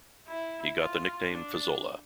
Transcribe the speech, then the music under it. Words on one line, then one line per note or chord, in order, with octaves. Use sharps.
He got the nickname Fazola.
E4
F4
D4